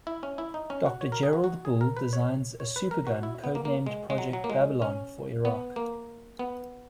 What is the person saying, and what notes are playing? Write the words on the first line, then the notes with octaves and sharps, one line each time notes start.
Doctor Gerald Bull designs a supergun codenamed Project Babylon for Iraq.
E4
C#4
E4
D#4
C#4
F#4
C#5
A#4
G#4
F#4
F#4
G#4
A#4
B4
C#5
C#5
B4
A#4
F#4
E4
B3
A#3
A#3
G#3
G#3
F#3
F#3
A#3
G#3
C#4
B3
A#3
B3